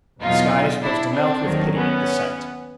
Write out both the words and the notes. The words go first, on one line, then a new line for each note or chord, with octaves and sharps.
The sky is supposed to melt with pity at the sight.
E2 B2 F#3 D#4 F4
D4 E4
C4 D4
D#2 D#3 F#3
B3 C#4